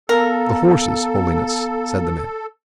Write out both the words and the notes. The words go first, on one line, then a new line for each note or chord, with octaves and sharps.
"The horses, Holiness," said the man.
B3 A4 A#4 F5 A#5